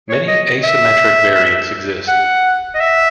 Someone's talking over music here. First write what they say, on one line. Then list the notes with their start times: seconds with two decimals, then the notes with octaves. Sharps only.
Many asymmetric variants exist.
0.10 C#5
0.28 D#5
0.64 E5
2.08 F#5
2.75 D#5
2.80 E5